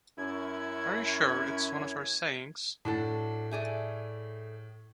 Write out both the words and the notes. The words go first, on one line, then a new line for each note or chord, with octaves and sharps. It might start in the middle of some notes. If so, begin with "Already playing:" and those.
Are you sure it's one of her sayings?
F#2 C#4 E4 G#6
A2 D4 F#4 A4
A3 G#4 D5